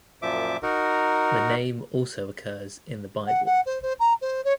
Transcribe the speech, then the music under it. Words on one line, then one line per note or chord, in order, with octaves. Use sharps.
The name also occurs in the Bible.
F#2 A#2 F3 E5 D6
D#4 F#4 A#4
F#5
F#5
C5
C5
A#5
C5
C#5